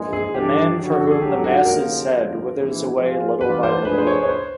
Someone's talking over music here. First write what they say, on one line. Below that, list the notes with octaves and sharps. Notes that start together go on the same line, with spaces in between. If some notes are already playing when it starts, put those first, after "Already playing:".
The man for whom the mass is said withers away little by little.
Already playing: A#1 G#2 E3 G#3
G#4
G2 E3 A3 D4 G4
D3 F3 G#3 C#4 F#4
A4
G#4
G#1 G#2 D#3 F#3 A3 G4
F#4
D#2 C#3 F3 A#4
G1 F2 C#3 F3
A#1 G#2 E3
G#2 F3 G#3 C4 F4
E3 G3 B3 D4 F4 B4
C5
F3 A3 D4 F4 G#4 B4
C5
C#5
C#5
C5